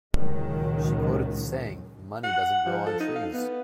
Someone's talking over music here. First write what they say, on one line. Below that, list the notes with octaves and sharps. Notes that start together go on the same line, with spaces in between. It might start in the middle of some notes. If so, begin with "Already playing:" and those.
She quoted the saying: money doesn't grow on trees.
C#2 A#2 D#3 F#3 G#3
F#5
F3
A4
D#4
F5
B3